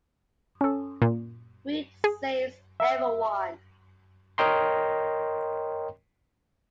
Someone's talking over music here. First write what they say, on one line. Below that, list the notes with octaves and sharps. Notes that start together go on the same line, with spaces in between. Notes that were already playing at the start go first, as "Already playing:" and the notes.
Reed saves everyone.
C#4 A4
A#2
G#4
E5
A#4 C#5 D#5 G5 A#5 C6